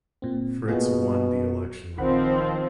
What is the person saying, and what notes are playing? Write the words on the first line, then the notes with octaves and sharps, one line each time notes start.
Fritz won the election.
A#2 C4
B2 A#3 F4 G#4
A#1 D#3 F3 C4 F#5 B5